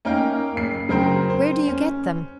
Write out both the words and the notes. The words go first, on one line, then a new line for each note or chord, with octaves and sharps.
"Where do you get them?"
A#3 C#4 D#4 A#4 F5 G5
F#1 C7
C#3 F#3 A#4 C5 G5 B5
C5
C#4